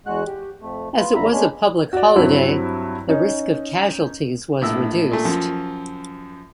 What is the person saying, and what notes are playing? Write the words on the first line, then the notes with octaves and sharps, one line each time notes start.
As it was a public holiday, the risk of casualties was reduced.
E2 G#3 F#4 F#6
G4
F2 A3
B3 F4
E2 A#2 D3 E5 A#5 B5
B2 G#3 C#4 D4
F#4 D5
G2 F#3 C4 E4
C#4 D#4
A#1 A2 E6
A#2 A3
F#2 F3